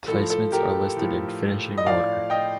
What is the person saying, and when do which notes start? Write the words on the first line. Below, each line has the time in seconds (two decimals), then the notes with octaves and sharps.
Placements are listed in finishing order.
0.08 A2 F3 A4
0.30 A4
0.52 G4 A#4
0.97 A2 F3
1.78 D#5
1.86 A2 F3 D5 F5
2.30 D#5 G5